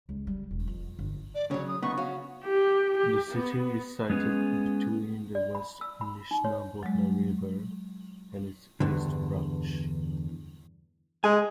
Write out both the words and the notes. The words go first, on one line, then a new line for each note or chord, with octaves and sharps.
The city is sited between the West Nishnabotna River and its East Branch.
C#2
G3
E1
F2
G1
D5
C#3 F#3 C#5
D#6
C#3 B3 D#4 C#6
C#4 F#4 F5
G4
G4
B3
G#3 B3 C#4 G#4
D5
B5
E6
B5
D#4
C#5
F#3 G#3
E2 G2 D3
G#3 G#5